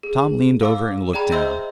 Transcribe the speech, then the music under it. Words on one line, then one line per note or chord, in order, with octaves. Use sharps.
Tom leaned over and looked down.
G#4
F5 D6 E6
G#4 D5 G5 A#5 B5
C5 D#5 E5 C6 E6 G6